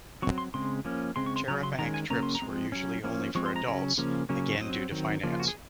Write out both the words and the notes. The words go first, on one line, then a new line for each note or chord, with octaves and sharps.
"Charabanc trips" were usually only for adults, again due to finance.
F#3 C4 C#6
C6
C#3 G#3 C4 C6
F3 A#3 C#4
C#3 G#3 C4 C6
C#6
C6
C#3 F#3 C#4 A#5
C6
D#3 G#3 C#4 A#5
G#5
C#3 F#3 A#3 C#4 A#5
C6
A#5
F3 G#3 C4
F#3 C#4
F3 A#3 C#4
F3 G#3 C4 C#6
C6
A#5
C#3 F#3 C#4
C#3 F3 A#3 C#4
C#3 F#3 A#3 C#4
C#5
F#3 C4 D#5
D#3 F#3 C4
C#3 F3 A#3 C#4
F4
F#4
G#4